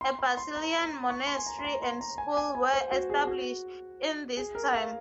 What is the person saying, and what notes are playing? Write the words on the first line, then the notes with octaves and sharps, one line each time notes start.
A Basilian monastery and school were established in this time.
C6
C6
C6
A#5
A#5
C#6
C6
G#5
A#5
C6
A#5
C6
A#5
G#5
G#5
G#5
C5
F#4
G#4
F#4
G#4
A#4
F5